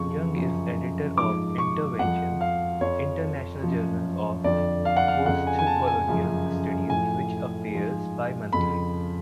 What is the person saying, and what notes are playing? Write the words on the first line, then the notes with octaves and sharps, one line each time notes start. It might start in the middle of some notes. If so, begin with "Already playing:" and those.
Young is Editor of "Interventions: International Journal of Postcolonial Studies" which appears bimonthly.
Already playing: F2 C#3 F3 C#6
F#2 C#3 F3
G#2 F3 D6
C#6
F2 F3 F#5
F5
F2 F3 C#5
F#2 F3
F2 D3 F3 D5
F5
F#5
F5
F2 C#3 F3 F#5
G#5
G#5
A5
G#5
F#2 C#3 F3
A2 F3 G#5
G#2 F3
F2 C#3 F3 B5